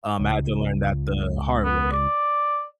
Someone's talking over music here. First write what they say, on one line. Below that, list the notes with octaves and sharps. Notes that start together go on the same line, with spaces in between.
um, I had to learn that the hard way.
C#2
B3
D5